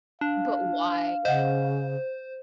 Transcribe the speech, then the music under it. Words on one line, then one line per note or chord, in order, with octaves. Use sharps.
But, why?
D4 F5
C#3 C5 D#5 F#5